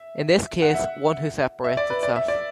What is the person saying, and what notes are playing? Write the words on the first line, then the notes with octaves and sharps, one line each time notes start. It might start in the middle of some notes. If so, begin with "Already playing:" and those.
In this case, "one who separates itself".
Already playing: E5
F#5
E5
E5
D5
B4
D5
E5
D5